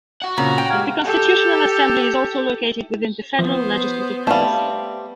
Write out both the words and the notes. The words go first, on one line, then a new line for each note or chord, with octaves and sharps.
The Constitutional Assembly is also located within the Federal Legislative Palace.
F#4 F#5
A#2 C#3 C4 C#4 A#5
G5
G#3 G4 F5 G#6
G4 A4
F3 B3 C5
G3 A3 B3 C4 F5